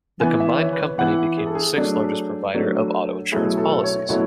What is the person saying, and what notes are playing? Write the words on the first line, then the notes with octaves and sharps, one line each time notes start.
The combined company became the sixth-largest provider of auto insurance policies.
E3 B3 E4 G#5
E5
C#5
B4
C#5
E3 B3 E4 F#5
G#4
A4
G#4
F#3 A3 D4
F#3 A3 D4
B2 F#3 A3 E4 G#4
A4
C#5
B2 F#3 A3 E4 C#5